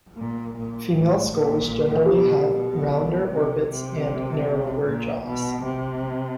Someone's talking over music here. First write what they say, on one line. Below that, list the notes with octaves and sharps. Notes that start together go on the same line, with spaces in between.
Female skulls generally have rounder orbits, and narrower jaws.
A#2
A#2
A2
A#2
B2
B2
C3
C3
A#2
B2
C3